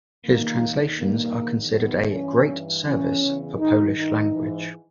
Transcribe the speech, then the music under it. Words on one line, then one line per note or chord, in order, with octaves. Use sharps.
His translations are considered a "great service" for Polish language.
E2 D#3 A#3
D#2 D#3
G2 D#3 A#3
E2 D#3
D#2 D#3 B3
G2 E3 C#4
G2 E3
E2 C#3 E3 C#4
E2 C#3 E3
G#2 D#3 D#4
G2 D#3 D#4
G#2 E3